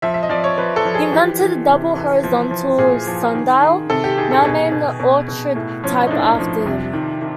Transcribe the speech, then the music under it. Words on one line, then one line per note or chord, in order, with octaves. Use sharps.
He invented the double horizontal sundial, now named Oughtred-type after him.
F3 E5
E5
D#5
F3 D5
C#5
F3 B4
A4
F3
G#4
E3 G4
E3
C3
E3
F3
F3
A#2 G#4
F3
D#3
D#3
C3 A4
G4
D#3 G#4
A4
B2 G#4
B2
B2
B2
A2
F3 C#4
D#4
A2 D4
F3
C3
D#3
D#3